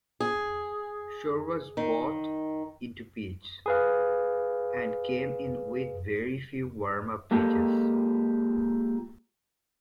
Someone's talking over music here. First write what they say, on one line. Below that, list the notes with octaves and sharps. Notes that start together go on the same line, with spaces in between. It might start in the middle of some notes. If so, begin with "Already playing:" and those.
Shore was brought in to pitch, and came in with very few warmup pitches.
G#4
D#3
G#4 B4 F5
G#3 A#3 F4 G4 A4